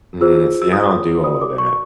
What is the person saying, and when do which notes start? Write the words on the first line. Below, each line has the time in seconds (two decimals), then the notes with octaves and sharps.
Mm, see, I don't do all of that.
0.21 F4 G#4 C5 E6
0.62 E6
0.73 D#6
1.24 F#4 A#4 D5 D#6
1.41 D6
1.58 C#6